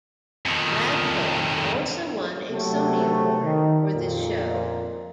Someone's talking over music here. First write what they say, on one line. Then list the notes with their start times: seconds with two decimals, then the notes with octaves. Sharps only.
Radcliffe also won a Sony award for this show.
0.46 F2 D#3
2.51 C3 F#3 A3 C4
3.43 D#3
3.93 F2 A#2